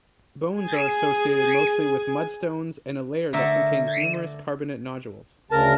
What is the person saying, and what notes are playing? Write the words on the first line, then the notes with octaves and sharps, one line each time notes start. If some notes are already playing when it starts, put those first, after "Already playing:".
Bones are associated mostly with mudstones and a layer that contains numerous carbonate nodules.
G#4 G#5
D3 A3 A#4 E5
D2 C#3 A#4 A5